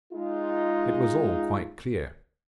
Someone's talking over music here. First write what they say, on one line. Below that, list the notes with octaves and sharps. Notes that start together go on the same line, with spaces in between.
It was all quite clear.
G#3 D#4 F4